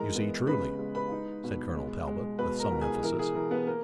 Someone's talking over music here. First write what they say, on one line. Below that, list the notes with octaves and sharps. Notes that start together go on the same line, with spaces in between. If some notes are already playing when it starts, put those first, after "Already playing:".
"You see truly," said Colonel Talbot, with some emphasis.
Already playing: E3 G#3 A#4 A#5
B3
C#3 B4 B5
G#3
B4 B5
D#4
B2
G#3
G#3
B2 B4 B5
A#4 A#5
B2
G#4 G#5
E3 A#4
G#4
E3 A#4
B3 B4
A#3 A#4